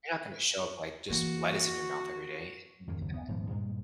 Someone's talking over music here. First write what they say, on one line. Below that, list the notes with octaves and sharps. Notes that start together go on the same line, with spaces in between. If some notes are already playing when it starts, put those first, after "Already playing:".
you're not gonna show up, like, just lettuce in your mouth every day and eat that.
E3 A#3 F#4
F2 G#2 D#3
F#1 D#2
B3
D#1 G#2 F3 B3
G2 A#2 G#3